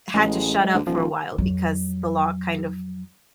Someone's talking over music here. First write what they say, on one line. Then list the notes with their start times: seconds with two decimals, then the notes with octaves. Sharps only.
had to shut up for a while, because the law kind of
0.14 A1 G#3
0.74 D2
0.87 D#1 F3
1.38 F2 F#3